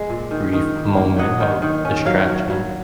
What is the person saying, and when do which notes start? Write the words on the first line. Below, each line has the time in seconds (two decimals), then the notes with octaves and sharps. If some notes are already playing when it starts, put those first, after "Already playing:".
brief moment of distraction.
Already playing: G#3
0.10 A#2
0.31 D#3
0.53 D#3
0.76 A#3
0.96 A#3
1.18 F#3 D#5 F#5
1.40 D#3
1.62 D#3
1.85 C#4
2.05 F#3 C#5 F5
2.28 F#3
2.50 F#3